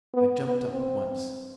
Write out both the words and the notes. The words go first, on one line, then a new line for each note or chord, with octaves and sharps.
I jumped! up at once.
B3
B3
C4